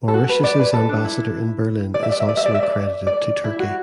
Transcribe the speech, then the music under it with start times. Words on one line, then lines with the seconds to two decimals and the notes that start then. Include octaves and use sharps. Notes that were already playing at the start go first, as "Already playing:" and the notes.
Mauritius’s ambassador in Berlin is also accredited to Turkey.
0.08 A4
0.14 F#4
0.29 B4
0.44 D5
0.60 B4
0.74 A4
0.89 D4
1.04 E4
1.94 D5
2.03 E5
2.12 D5
2.20 E5
2.29 D5
2.37 E5
2.46 D5
2.55 E5
2.63 D5
3.07 D5
3.44 E4
3.59 F#4